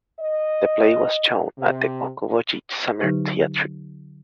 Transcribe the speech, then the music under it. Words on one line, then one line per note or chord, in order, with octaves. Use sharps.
The play was shown at the Okoboji Summer Theatre.
D#5
C3
D3 F#3 D#4 G4 B4